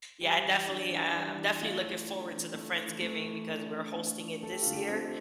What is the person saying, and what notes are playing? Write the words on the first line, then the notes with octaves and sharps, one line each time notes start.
Yeah, I definitely uh, I'm definitely looking forward to the Friendsgiving because we're hosting it this year.
G3 G4
E3
D4
E3
G3
E3
A3 F4
E3
D4
E3
A3
E3
A3
E3
D4
E3
A3
E3
A3 A4
G4
D3 F4
G4
C4